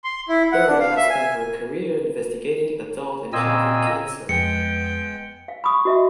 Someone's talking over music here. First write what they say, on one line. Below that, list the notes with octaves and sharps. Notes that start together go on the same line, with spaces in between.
Byrne has spent her career investigating adult and childhood cancer.
C6
E4
F#5
D4
F5
E5
G#5
A#2 C4 D#5 G#5 E6
F2 G#3 B3 G5 C#7
F5
B5 C#6 D#6
F#4 D#5 E5